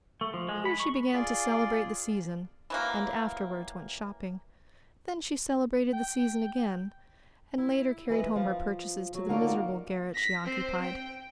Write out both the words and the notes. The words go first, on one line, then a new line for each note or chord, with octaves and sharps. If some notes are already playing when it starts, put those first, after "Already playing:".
Here she began to celebrate the season, and afterwards went shopping; then she celebrated the season again, and later carried home her purchases to the miserable garret she occupied.
A3
F3
G#3
B5
C#6
F4 G#4 D5
E3 F#3 A#3
G5
E4
E3 B4 D#5
F3
F#3
D3 A#3 D#4 F4 F#4 D5
A#6 B6
C4 C5
G5